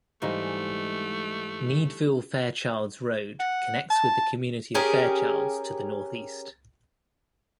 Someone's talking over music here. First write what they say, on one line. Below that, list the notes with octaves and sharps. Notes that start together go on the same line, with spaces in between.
Needville-Fairchilds Road connects with the community of Fairchilds to the northeast.
G#2 E3 G3 A3 D#4 F5
F#5
A5
C#4 G4 G#4 A#4